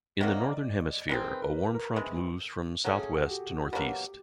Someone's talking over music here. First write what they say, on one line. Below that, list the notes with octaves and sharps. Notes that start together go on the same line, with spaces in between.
In the Northern Hemisphere a warm front moves from southwest to northeast.
C3 D#3 F#3 A#3 D5
D#5
D5
D#3 G#3 C4 B4
A#4
B4
A#4
B4
A#4
C3 E3 G#3
F#3 A3 C#4 A4
G#4
F#4
G4
F#4
B2 F#3 A#3 G4